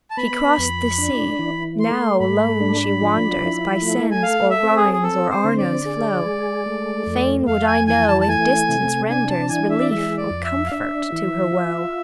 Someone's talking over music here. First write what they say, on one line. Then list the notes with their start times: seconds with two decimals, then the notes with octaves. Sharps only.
She crossed the sea--now lone she wanders By Seine's, or Rhine's, or Arno's flow; Fain would I know if distance renders Relief or comfort to her woe.
0.10 A5
0.17 B3 B5
0.58 F2
0.98 D4
1.39 E3
1.79 A3 C6
2.20 G#2 B5
2.61 D4
3.01 F3
3.41 E4
3.82 A3
4.11 G#5
4.23 A4 F5
4.50 E5
4.63 C4
4.76 G#4
4.93 G#4
5.03 C4 A4
5.30 C5
5.44 D3
5.58 D5
5.85 G#4
6.25 G#3
6.66 A3
7.07 F2
7.47 F2 F5
7.67 G#5
7.87 E3 G#5
8.08 A5
8.21 A5
8.28 A3 G#5
8.69 C3
9.09 D4 G#5
9.29 A5
9.49 E3 G#5
9.70 E5
9.80 D5
9.90 G#3 E5
10.17 D5
10.30 F2
10.44 E5
10.67 F5
10.71 D4 E5
11.12 E3
11.52 F4